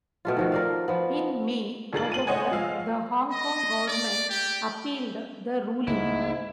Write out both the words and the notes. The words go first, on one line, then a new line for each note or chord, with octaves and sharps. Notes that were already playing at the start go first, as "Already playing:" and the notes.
In May, however, the Hong Kong Government appealed the ruling.
B2 A3 F4
D#3 F3 F#4
A#4 D5 F5
F3 B3
F2 D#3 G#4 A#4 A6 F#7
D#7 F#7
C5 C#5 D#5 F#5 G#5
F3 G#3 F5 E6
D#5
D5
G4
C#2 G#2 A3 A#3 E4